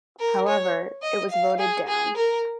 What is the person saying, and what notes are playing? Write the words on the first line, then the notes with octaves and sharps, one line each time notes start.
However, it was voted down.
A#4
C#5
D#5
F5
G#4
G#4
A#4